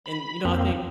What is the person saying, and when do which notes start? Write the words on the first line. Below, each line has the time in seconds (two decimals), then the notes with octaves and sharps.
And, you know, I think
0.06 B5
0.45 F2 A#3 C4